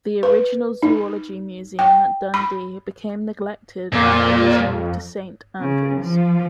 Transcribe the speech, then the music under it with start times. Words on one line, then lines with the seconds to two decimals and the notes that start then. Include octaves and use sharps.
The original Zoology Museum at Dundee became neglected after his move to Saint Andrews.
0.23 B4
0.83 D#4
1.79 G5
2.34 B5
3.92 F2 A#2
5.61 C#3
6.01 F3